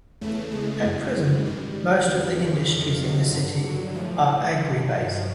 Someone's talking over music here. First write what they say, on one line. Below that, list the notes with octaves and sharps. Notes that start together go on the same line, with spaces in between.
At present, most of the industries in the city are agri-based.
E2 C#3 E3 A3
G#3
F#2 C#3 E3
G#2 D#3 G3
F2 C#3 E3 G3
F3
F2 C3 D#3
F#3
G2 D3
F#3
A2 E3 F3
E3
G2 D#3 F3
F#3